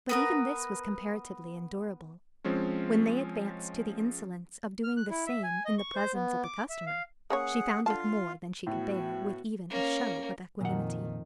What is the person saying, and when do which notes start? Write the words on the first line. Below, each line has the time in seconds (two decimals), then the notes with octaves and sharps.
But even this was comparatively endurable: when they advanced to the insolence of doing the same in the presence of the customer, she found it more than she could bear with even a show of equanimity.
0.09 B3 A#4 B4
2.44 F3 G#3 C4 C#4
4.84 F6
4.97 F#6
5.10 E4
5.26 E5
5.43 G#5
5.65 D#5
5.78 C#6
5.95 C5
6.14 B3
6.43 D6
6.70 E5
6.86 F5
7.30 A#3 C#4 G#4 C#5 F#5
7.86 D3 F4 F5 A5
8.67 A2 B3 F#4
9.70 A#3 C#4
10.61 F2 A#2 D#3 F#5